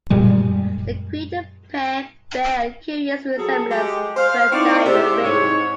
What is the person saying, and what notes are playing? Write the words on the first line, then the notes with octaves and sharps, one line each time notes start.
The crater pair bear a curious resemblance to a diamond ring.
F#2 A#2 G3 G#3
F#3 G#4 A4
G#3 G4
C5 F5
C4 D#4 E4 C#5 D5
C3 G#3 E4 G4 C5 E5
G#2 C#5